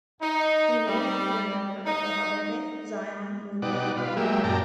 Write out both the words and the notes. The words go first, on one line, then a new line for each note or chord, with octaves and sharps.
He may have been a member of the Hovevei Zion movement.
D#4
G3
D#4
B2 G3 D#4 D5 F#5
F4 B4
F#3 G#3 A#3 G4 E5
F#2 A#2 D5 G5 A5 A#5